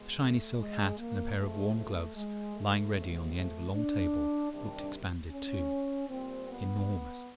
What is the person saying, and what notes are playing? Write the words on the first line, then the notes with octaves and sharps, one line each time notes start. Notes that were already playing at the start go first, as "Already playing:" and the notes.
A shiny silk hat and a pair of worn gloves lying ready on the end of a long table looked expanded too, enormous.
Already playing: B2 G#3
A3
G#3
A#3
C3 F3 G#3 A3
A3
G#3
A3
C3 F3 G#3
A3
D4
C3 D#3 G3 D4
C#4
A#2 G3 C4
B3